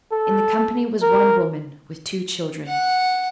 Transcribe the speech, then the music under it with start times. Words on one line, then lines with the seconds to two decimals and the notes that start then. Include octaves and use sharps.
In the company was one woman, with two children.
0.12 A4
1.02 A#4
2.69 F#5